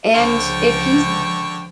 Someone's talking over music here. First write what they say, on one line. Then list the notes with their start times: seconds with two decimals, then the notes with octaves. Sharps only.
And if he's
0.14 C#2 D3 F3 G5 C#6